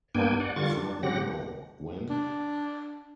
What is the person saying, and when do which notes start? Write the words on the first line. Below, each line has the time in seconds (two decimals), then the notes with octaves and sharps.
If not now, when?
0.15 G2 A#3 B3 D4 G5 G#5
0.40 D5 F#5
0.56 D3 G3 F4 C#6 A6
0.77 D4
1.03 C#3 F#3 C4 G4 F#5 A#6
2.10 D4